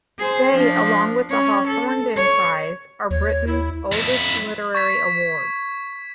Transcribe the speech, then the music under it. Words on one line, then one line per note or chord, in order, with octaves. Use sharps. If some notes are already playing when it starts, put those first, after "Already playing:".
They, along with the Hawthornden Prize, are Britain's oldest literary awards.
G#4 C5
F3 D4
C#4 C#5
A4
C#5
D#2 C#5
E4
F2 E4
C#6 G#6 B6